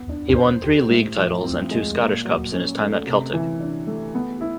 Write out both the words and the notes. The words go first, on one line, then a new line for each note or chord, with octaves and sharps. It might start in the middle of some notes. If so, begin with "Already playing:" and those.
He won three League titles and two Scottish Cups in his time at Celtic.
Already playing: B3
D4
C5
G4
A2
F3
C4
G#3
A#2
F#3
C#4
A3
C3
E3
D4
A3
B3
E4